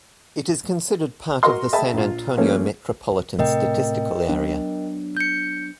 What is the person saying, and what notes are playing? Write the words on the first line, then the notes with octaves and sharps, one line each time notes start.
It is considered part of the San Antonio Metropolitan Statistical Area.
F#4 A#4 D#5 C6
G#4 D#5 E5 G5 A5 B5
A#1 F4
F3 A3 A#3 C#4
A2 C3 A3 A#4 D#5 G5
F#3 B3 D4
G6 C#7